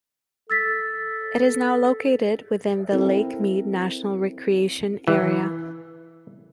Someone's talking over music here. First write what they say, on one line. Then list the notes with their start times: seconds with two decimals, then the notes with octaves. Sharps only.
It is now located within the Lake Mead National Recreation Area.
0.50 A4 E6 A6 B6
2.92 C4 E4 A4 A#4
5.08 E3